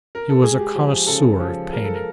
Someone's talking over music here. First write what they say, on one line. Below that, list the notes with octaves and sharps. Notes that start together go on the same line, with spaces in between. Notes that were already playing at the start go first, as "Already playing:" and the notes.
He was a connoisseur of painting.
A#4
A4
G#3 G#4
G4
F3 G4
G#4
C#3 A4
F3
G#3 A#4
A4
A#4